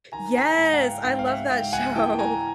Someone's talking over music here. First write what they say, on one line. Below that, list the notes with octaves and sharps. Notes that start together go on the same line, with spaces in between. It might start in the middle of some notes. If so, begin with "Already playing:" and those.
Yes! I love that show.
D#3 G#5 A#5
G#5 A#5
G#2
F#5
F5 G5
G#2 F5 G5
F5
E5 F#5
G#2 F5 G5
F#5 G#5
E3 G5 A5
G#5 A#5